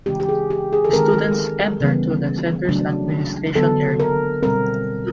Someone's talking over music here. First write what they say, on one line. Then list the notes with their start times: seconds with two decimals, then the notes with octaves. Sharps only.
Students enter through the center's administration area.
0.06 C#3 E3 G#3 C4 G4
0.20 G4
0.29 G#4
0.50 G4
0.73 G#4
0.85 A4
0.93 D#3 G#3 C4 A#4
1.81 C#3 E3 G3 B3
2.69 C#3 F#3 A3 D4
3.55 D3 F#3 B3 A4
4.00 A#4
4.43 B2 G3 C4 A#4